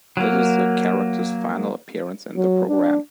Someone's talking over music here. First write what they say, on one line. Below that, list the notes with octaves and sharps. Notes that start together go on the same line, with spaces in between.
This is the character's final appearance in the programme.
F#3 A#3
F#3
D4